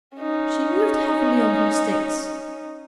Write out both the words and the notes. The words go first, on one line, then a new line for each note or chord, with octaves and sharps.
She moved heavily on her sticks.
C#4 D#4